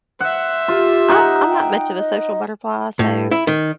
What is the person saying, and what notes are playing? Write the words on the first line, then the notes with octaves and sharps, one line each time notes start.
I'm I'm not much of a social butterfly, so
C5 E5 F#5
F4 G4
D#4 F#5
G5
D#5
A2
E4
D#3